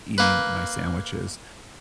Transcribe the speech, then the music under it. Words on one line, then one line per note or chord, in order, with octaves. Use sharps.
eating my sandwiches?
A#3 B4